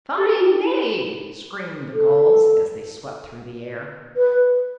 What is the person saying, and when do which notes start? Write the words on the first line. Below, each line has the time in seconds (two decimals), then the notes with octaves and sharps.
"Fine day!" screamed the Gulls, as they swept through the air.
0.17 G4
0.26 A4
0.40 F#4
0.44 G4
0.63 E4
1.93 A4
4.16 B4